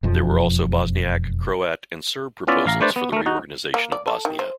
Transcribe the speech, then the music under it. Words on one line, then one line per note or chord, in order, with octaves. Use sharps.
There were also Bosniak, Croat and Serb proposals for the reorganisation of Bosnia.
E1 F2 F3
B3 C#4 E4 F4 D5 E5
A1 F5 A#5
A3 D4 B4 C5 D5
B3
A3 A#4
D#4 F#4
A#3
D5
A4
D#3
C5